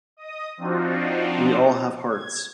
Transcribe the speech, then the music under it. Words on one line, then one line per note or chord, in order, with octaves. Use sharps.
We all have hearts.
D#5 D#6
F3 C4 D4 D#4 F4 F#4
G#6